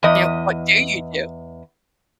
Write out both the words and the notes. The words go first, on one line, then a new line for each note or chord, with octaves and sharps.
You know, what do you do?
E2 D#5